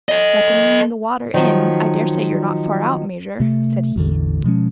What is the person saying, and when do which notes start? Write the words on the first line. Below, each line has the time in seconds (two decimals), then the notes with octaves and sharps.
"Reckoning the water in, I daresay you're not far out, Major," said he.
0.09 A4 D#5
1.34 D#3 F3 F#3
3.40 C3 A3
3.96 A1 E2 D3
4.44 B2 F3 G#3 C#4